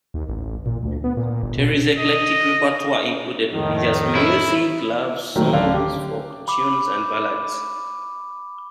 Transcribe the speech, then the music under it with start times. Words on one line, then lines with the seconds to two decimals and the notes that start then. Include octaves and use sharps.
Terri's eclectic repertoire included religious music, love songs, folk tunes and ballads.
0.14 D#2
0.29 A1
0.66 A#2
0.83 D2
1.04 B3
1.17 A#2
1.43 G1
1.58 B2
1.98 D#5
3.53 F2 A2 D#3
4.15 E4
5.36 A#2 D#3 F#3 A3
5.53 D1 D3 F5
5.74 G4
6.48 B5 D6